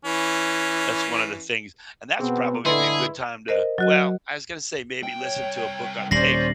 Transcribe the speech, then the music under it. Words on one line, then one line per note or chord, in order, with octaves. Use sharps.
that's one of the things and that's probably be a good time to well, I was gonna say maybe listen to a book on tape,
E3 C#4
B2 B3 C4 G#4
D3 E4 G#4 B4 D#5 C6
A#4 C5 D#5
F#3 F#4 D#5
C2 G5
C#5
D#1 G3 C#4 C5 D5 A#6 C7 F#7